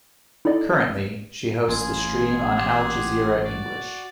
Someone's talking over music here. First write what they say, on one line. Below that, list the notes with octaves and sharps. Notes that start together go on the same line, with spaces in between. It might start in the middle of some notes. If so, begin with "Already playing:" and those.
Currently, she hosts The Stream on Al Jazeera English.
D#4 E4 A4 D5 D#5
A1 F4 G#4 G#5
G4 F#5 C6
F#4 D5